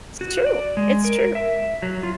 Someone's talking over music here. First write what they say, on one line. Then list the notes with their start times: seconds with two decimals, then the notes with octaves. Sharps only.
It's true, it's true.
0.21 F#4
0.47 D5
0.77 G#3
1.04 A#4
1.35 E5
1.82 F#3
2.03 F4